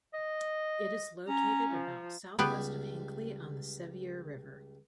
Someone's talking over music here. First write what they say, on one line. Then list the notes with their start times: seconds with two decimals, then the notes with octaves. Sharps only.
It is located about southwest of Hinckley on the Sevier River.
0.14 D#5
1.28 C#4 A#5
1.71 F3
2.39 C#2 G3 B3 G4 B4